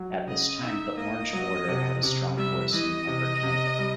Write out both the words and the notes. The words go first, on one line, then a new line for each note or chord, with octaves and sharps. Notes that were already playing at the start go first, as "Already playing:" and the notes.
At this time, the Orange Order had a strong voice in Upper Canada.
Already playing: F#3
C#3 D#5
D#4 E5
A#3 D#5
F#3
C3
C3
G3 E5
E3 D#5
C3
C3
G3